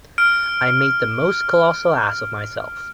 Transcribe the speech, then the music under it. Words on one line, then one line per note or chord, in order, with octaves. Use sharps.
I made the most colossal ass of myself.
F6 D7